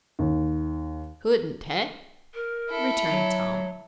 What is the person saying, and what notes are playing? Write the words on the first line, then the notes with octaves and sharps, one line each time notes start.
"Couldn't, heh?" returned Tom.
D#2
A#4
E4 A4
F#3